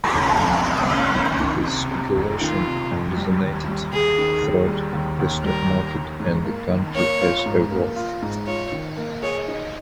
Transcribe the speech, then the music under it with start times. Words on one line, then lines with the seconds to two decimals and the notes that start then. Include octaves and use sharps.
This speculation resonated throughout the stock market and the country as a whole.
0.14 F1 C#4
0.39 F2
0.65 C3
0.90 F1 C#4
1.15 D#3
1.40 D#3
1.66 C3
1.91 C3
2.16 F1
2.41 D#3 F4
2.67 C3
2.92 F2
3.17 G3
3.42 D#2
3.68 G3
3.93 D#2 G#4
4.18 D#3
4.43 D#2
4.68 G3
4.93 D#2
5.19 D#2
5.44 G3 A#4
5.70 D#2
5.94 D#2
6.20 G#2
6.44 A#3
6.70 D#3
6.95 A#3 C#5
7.21 F4
7.46 G#2
7.71 A#3
7.96 F4
8.22 G#2
8.47 F4 C#5
8.72 D#3
8.97 A#3
9.22 G#4 C#5
9.48 D#4